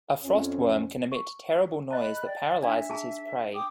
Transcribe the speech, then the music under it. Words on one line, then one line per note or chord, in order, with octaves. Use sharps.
A frost worm can emit terrible noise that paralyzes his prey.
F2 C#4
C#6
D#5 A5 B5 F#6
D5 G5
D4 D#4 E5
G#4 A5
G5 D6 D#6